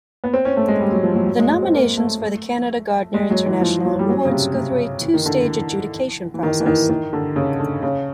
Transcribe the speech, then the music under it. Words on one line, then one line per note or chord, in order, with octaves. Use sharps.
The nominations for the Canada Gairdner International Awards go through a two-stage adjudication process.
B3
C4
C#4
A3
G#3
G3
F#3
F3
F#3
F#3
G#3
G#3
C4
A#3
A3
G#3
F#3
E3
F3
F#3
G3
F#3
C#3
C3
C3
E3
D#3
D3
E3
E3
D#3
E3
D#3
D#3
D3
C#3
D3
C#3